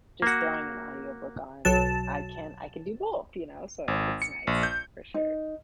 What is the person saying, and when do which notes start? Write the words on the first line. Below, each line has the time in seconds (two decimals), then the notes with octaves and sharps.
just throwing an audiobook on, I can I can do both, you know, so it's nice, for sure.
0.22 A#3 F#4
1.65 B1 F#3 A5
3.88 G#1
4.22 C#7
4.47 A#1
4.63 G6
5.14 D#4